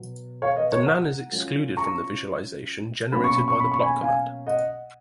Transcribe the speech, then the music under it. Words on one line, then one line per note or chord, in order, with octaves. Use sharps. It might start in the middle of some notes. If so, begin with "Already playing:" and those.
The NaN is excluded from the visualization generated by the plot command.
Already playing: B2 F#3 B3
C#5 F5
B4 D#5
A#4 C#5
F#5 A#5
F#3 C#4 F4
A#5 C#6
B2 F#3 A#3 C#4 B5
C#6
B5
C#6
B5
C#6
G#5 B5
F5 G#5
D#5 F#5